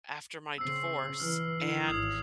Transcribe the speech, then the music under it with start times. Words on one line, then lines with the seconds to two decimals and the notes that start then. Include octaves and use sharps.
after my divorce. And,
0.58 C#3 C4 E6 C7
1.20 E3 F6
1.58 D3 E4
1.88 G#1 D#6 G#6 F#7